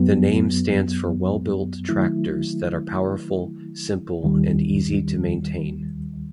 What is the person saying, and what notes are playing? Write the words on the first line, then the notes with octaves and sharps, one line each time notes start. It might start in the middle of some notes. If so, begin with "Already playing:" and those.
The name stands for well-built tractors that are powerful, simple and easy to maintain.
Already playing: F#2 F#3 B3
D#3 F#3 A3 E4
D#2 D#3 G3